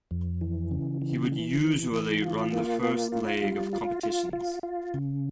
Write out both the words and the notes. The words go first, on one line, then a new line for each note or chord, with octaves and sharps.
He would usually run the first leg of competitions.
F2
E3
C#3
E3
E3
E3
E3
F4
A#3
F4
F4
G3
F4
F4
F4
F4
C#3